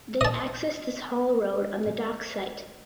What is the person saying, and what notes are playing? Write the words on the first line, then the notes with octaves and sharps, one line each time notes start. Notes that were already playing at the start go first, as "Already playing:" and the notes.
They access this haul road on the Docks site.
D#5 A5